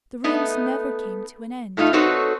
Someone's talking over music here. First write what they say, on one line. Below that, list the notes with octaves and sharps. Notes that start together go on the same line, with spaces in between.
The rooms never came to an end.
A3 B3 D#4
A2 A3 D#4 F4
C4 D#4 F#4 A4 B4 C#5